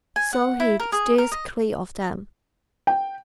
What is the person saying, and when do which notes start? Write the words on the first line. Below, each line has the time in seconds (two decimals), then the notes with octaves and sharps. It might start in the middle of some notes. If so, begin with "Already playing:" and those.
So he steers clear of them.
0.16 G#5
0.33 F#5
0.60 E4
0.80 A#4
0.92 G#4
1.18 A#4
1.32 D#5
2.87 G5